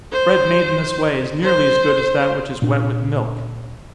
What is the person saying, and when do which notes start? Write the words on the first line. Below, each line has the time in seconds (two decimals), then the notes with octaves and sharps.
Bread made in this way is nearly as good as that which is wet with milk.
0.12 C5
1.42 C5
2.62 A#2 D4